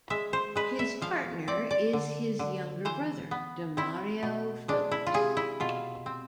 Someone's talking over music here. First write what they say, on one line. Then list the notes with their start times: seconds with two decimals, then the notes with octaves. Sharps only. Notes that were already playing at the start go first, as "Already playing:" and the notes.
His partner is his younger brother Demario Phillips.
0.10 G#3 E5
0.33 C5
0.56 G#3 B4
0.79 E5
1.02 F3 F5
1.48 C4 D5
1.71 D5
1.93 D3
2.39 D3
2.85 E3 C5
3.31 B3
3.77 C4 E4
4.23 B2
4.68 G#3 D4
4.91 E4
5.07 F4
5.14 C3 G#4
5.37 E4
5.60 B2 F4
6.06 C4